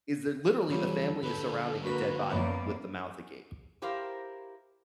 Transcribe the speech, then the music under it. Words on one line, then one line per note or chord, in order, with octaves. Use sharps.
is that literally the family is surrounding a dead body with the mouth agape.
E2 F#3 G3 F4 A4
D3 G#3 G4 B4
D2 A#3 F#4 B4 B5
F#2 A#3 B3 D5
E4 G4 A#4 C5 F5